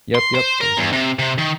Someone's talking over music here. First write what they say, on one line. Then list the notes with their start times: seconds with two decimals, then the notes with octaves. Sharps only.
Yep, yep. Have a good one.
0.15 C6
0.35 C5
0.61 A#4
0.77 E2
0.92 C3
1.19 C3
1.38 D#3